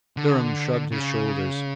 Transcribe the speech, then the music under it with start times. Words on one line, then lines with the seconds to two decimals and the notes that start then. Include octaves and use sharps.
Durham shrugged his shoulders.
0.17 D3
0.92 C#3